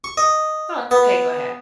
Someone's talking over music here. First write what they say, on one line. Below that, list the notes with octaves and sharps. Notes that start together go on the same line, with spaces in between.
No, it's okay go ahead.
C#6
D#5
B3